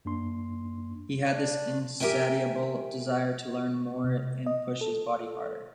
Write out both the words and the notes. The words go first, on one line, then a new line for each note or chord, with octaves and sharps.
He had this insatiable desire to learn more and push his body harder.
F#2 A#3 D4 C6
D4
G4 A#4 C5 E5 G5 G#5
C3
D#5
A4